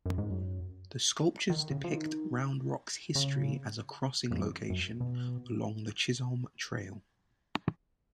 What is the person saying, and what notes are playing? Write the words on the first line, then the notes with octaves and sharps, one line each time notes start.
The sculptures depict Round Rock's history as a crossing location along the Chisholm Trail.
F#2
G#2
F#2
D#3
C#3
F3
D#3
C#3
F2
F#2
F#2
B2